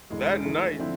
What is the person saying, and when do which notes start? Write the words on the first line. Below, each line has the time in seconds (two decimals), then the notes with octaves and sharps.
that night
0.10 E1 E2 D3 G#3
0.45 G#1 G#2 E3 A3
0.79 D3 F3 C4 E4